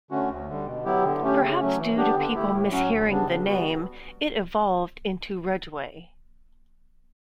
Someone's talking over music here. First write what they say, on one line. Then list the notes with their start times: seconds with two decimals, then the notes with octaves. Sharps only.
Perhaps due to people mishearing the name, it evolved into Rudgeway.
0.11 D3 A3 C#4 F#4
0.29 D2
0.47 D3 G3
0.66 B2
0.85 F#3 B3 E4 G4
1.04 D3
1.22 A3 C#4 G4
1.41 C#3
1.60 F#3 A3 C#4
1.78 E3
1.96 B3 D4 G4
2.16 D3
2.34 A3 E4 G4
2.52 A2
2.71 F#3 C#4 F#4
2.90 D2
3.08 C#3 G3 B3 D4
3.27 C#3
3.45 G3 B3 F#4